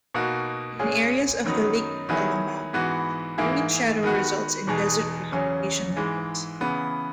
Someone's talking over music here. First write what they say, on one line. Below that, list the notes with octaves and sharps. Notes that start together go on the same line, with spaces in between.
In areas of the lakebed along mountains, rain shadow results in desert precipitation levels.
B2 A#3 D#4 F#4
A#2 G#3 C#4 G#4
F#2 D#3 F#3 B3 D#4
D#3 F#3 B3 E4 G#4
G#2 E3 B3 F#4
G#2 E3 A#3 E4 G#4
D#3 G#3 B3 F#4
E2 B2 G#3 D#4 G#4
E2 C#3 F#3 C#4 G#4
G#2 E3 G#3
C#3 E3 B3